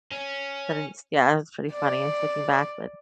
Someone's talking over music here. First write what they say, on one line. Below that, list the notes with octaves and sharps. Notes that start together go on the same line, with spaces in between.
then it's, yeah. It was pretty funny looking back. But
C#4
D5